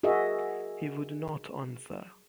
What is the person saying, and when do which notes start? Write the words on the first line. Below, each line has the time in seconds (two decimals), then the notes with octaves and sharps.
He would not answer.
0.03 F#4 G#4 A#4 D#5 E5